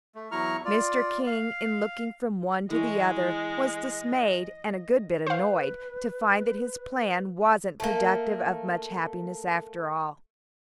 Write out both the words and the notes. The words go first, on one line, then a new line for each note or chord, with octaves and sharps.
Mr. King, in looking from one to the other, was dismayed and a good bit annoyed to find that his plan wasn't productive of much happiness after all.
A3
E2 F#3 E4 A#5 C#6 F6
F4 D5
F5
E3 G#3 C#5 D#5
B4 C5 F5
A3 A#3